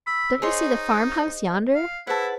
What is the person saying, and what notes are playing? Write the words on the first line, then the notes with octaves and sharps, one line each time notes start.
Don't you see the farm-house yonder?
B5 E6
D#4 G#4 C5 C#5 D#5 C6
F5
E4 G#4 B4 C5 F#5 A5